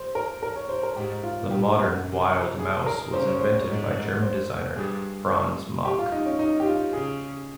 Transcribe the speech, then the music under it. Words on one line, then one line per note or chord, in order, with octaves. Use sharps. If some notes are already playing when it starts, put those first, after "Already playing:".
The modern Wild Mouse was invented by German designer Franz Mack.
Already playing: C5
A#4
A#4
C#5
C5
A#4
G#2 G4
F4
A#2 G4
C3
G#4
A#4
C#3 C5
C#5
C5
C#5
G#2
C5
G2 G#4
G4
F4
D#4
C#4
D#4
G4
F4
C#3 G#4